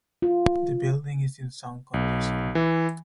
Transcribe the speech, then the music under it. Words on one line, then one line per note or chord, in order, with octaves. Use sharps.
The building is in sound condition.
F4
B1
E3